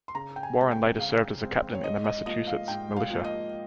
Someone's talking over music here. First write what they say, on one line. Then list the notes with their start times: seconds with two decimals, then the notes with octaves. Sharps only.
Warren later served as a captain in the Massachusetts Militia.
0.08 C6
0.15 C#3 A#5
0.36 G5
0.43 G#5
0.56 G#3 C4
0.72 G5
0.99 C#3 F5
1.42 G#3 C4
1.75 C#5
1.84 G#2 D#5
2.04 D#5
2.26 F3 A#3 D#5
2.47 F5
2.68 G#2 G5
2.96 F5
3.11 F3 A#3
3.24 D#5